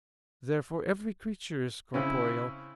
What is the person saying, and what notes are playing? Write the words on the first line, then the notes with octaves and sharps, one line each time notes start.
Therefore, every creature is corporeal.
C#3 C4 C#4 E4